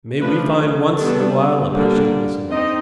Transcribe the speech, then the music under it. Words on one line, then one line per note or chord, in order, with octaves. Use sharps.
May we find once in a while a patient listener.
F3 A3 D4 B4
A4
G3 B3 D4 A4
D3 G3 A#3 D4
C4 D#4 D#5